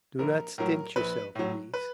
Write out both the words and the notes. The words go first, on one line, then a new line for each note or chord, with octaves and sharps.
Do not stint yourself in these.
A#1 A#4
A2 F#3 A#4
A#1 B4
A2 F#3
B4